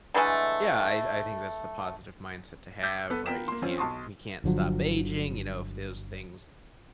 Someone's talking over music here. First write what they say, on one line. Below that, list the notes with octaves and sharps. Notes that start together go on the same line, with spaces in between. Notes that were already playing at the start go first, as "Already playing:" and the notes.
yeah, I I think that's the positive mindset to have, right? You can't you can't stop aging. You know if those things
D3 E3 G#3 A3
D6 E6 G6 B6
B3 A4 B4
B3 F4 A#4 G5 B6 E7
A#3 C6
F3 C4 C#4 F4
B1 A5 C6 C#6 D#6
G1 D3 F3 F#3